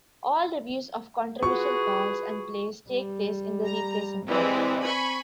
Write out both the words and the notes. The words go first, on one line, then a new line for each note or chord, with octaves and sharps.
All reviews of controversial calls and plays take place in the replay center.
F4 F#4 G#4 B4 C#6
G3
A#5
E3 G3 G#3 C4
G#5 B5 C#6